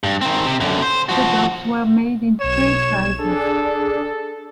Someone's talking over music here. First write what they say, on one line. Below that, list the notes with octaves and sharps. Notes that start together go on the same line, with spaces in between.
The dogs were made in three sizes.
G2
D#3 C4
C3
F#2 D3
C5
F3 F#4
B1 C#5 G#6 E7
D4 G#4 A4